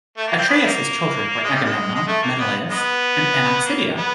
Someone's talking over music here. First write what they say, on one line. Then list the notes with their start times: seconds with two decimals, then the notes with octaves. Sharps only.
Atreus' children were Agamemnon, Menelaus, and Anaxibia.
0.17 A3
0.27 A#3
0.38 C4
0.49 B3
0.64 G3 A#3
1.43 G#3
1.55 G3
1.65 G#3
1.95 G#3
2.08 A3
2.22 A#3
2.39 B3
2.70 G#3 B3
3.65 A#3
3.97 B3